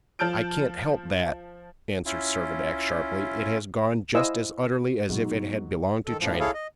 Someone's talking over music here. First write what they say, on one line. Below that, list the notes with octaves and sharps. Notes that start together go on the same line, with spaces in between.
"I can't help that," answered Servadac, sharply; "it has gone just as utterly as if it had belonged to China."
F3 A5 F6 G6 D7
C#4 E4 F4
E4 C5 D#5 F5 G#5 E6
G#2 B2 F#3 D#4
D#3 A4
F#2 A2 F3
E4 G#4 A4 C#5 F5
D#5